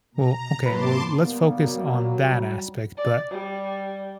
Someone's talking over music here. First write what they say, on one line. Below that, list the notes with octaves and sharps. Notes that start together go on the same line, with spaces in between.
Well, okay. Well, let's focus on that aspect, but
B2 A#5
G#2 F#3 A#3 B4 A5 B5 C6 D6
G3 A#3 B3
F#3
G3
D5
G3